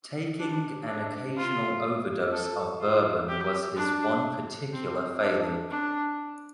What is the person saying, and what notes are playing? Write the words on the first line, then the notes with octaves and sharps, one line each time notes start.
Taking an occasional overdose of Bourbon was his one particular failing.
D4
D4
F4
A4
F4
G4
D4
C4
D4
D4